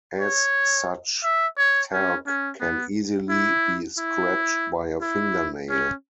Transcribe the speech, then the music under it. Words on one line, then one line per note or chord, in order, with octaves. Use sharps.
As such, talc can easily be scratched by a fingernail.
C#5
E5
C#5
C#4
C#4
B3
E4
E4
E4
C#4